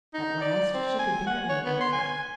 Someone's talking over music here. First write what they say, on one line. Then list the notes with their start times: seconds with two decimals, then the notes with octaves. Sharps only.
At last she could bear it no longer.
0.14 D#4
0.41 D5
0.74 C4
0.99 G#5
1.27 F#5
1.49 C#5
1.65 B3
1.81 C6
1.93 G#5